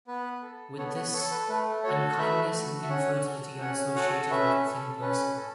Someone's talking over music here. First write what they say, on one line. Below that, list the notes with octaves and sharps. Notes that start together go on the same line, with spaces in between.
With this, unkindness and infertility are associated with a thin person.
B3 B4
A4
B3 A4 C#5
C#5 F#5
A4 C#5
B4
A3 B4
F#4 A4 C#5
A3 B4 E5
F#4 A4
E5
C#4 C#5 F#5
F#4 A4
C#4 C#5 F#5
F#4 A4 C#5 F#5
C#4 B4 E5
A4
C#4 B4
A4